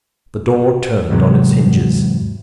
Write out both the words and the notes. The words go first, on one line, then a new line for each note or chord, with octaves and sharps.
The door turned on its hinges.
E2 G#2 C3 F#3